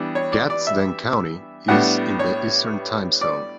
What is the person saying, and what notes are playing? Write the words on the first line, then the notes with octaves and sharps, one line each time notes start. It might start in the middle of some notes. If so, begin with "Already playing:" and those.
Gadsden County is in the Eastern Time Zone.
Already playing: E3 G3 B3 D4
C#5
D5
D5
E5
A2 G3 B3 D4 F#5
C#5
D5